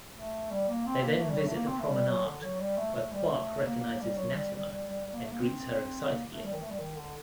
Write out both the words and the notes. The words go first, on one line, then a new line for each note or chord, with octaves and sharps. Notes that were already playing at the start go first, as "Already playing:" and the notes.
They then visit the Promenade, where Quark recognizes Natima and greets her excitedly.
A3
G3
A#3
C4
A#3
A3
G3
F#3
A3
A#3
C4
A3
G3
F#3
D3
F#3
G3
A3
A3
G3
A3
A#3
A#3
G3
F#3
G3
G3
G3
G3
G3
A#3
A3
A#3
C4
A#3
A3
G3
D#3
A3
G3
D#3
D3